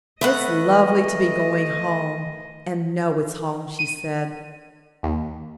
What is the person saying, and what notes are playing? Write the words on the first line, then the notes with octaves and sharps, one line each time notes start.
"It's lovely to be going home and know it's home," she said.
A3 B3 B4 D#5 F#5
D#7
D#2